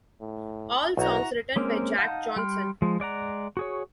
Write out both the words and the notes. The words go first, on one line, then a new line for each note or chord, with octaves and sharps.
All songs written by Jack Johnson.
A2
B1 E4 F#4 A#5
G#3 A#3 C4 C#4 A#4
D#4 F5 F#5 A5 G6
G3 G5 C6 F6
F3 G#3
G#3 D5 F#5 A#5
F#4 G#4 C#5